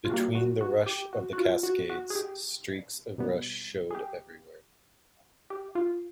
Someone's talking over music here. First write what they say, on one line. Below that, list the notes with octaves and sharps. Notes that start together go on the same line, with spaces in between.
Between the rush of the cascades, streaks of rust showed everywhere.
F4
B2 G3 A#3 F#4
F#4
F#4
G4
F#4
F#4
F4
F#4
F#4
G#4
G4
B2 G3 B3
G#4
G4
G4
F4